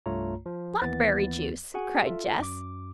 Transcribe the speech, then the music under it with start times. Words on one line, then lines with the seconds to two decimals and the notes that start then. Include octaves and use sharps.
"Blackberry juice!" cried Jess.
0.06 C2 G2 A3 F4 C#5 A#5
0.46 F3
0.82 D#2 E3 B3 A6
1.74 F#4 G#4 F#5 G#5
2.05 F4 A4 E5
2.39 F#2 D6